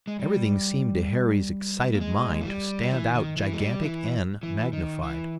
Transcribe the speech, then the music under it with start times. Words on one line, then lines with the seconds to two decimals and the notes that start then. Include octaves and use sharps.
Everything seemed to Harry's excited mind to stand out gigantic and magnified.
0.07 G#3
0.19 G3
1.94 A#3
2.01 G#3
2.41 E3
2.46 G3
2.83 G3
2.91 E3
3.14 D#3
3.37 E3
3.53 G#3
3.59 G3
3.82 E3
4.43 E3
4.73 D#3
5.03 E3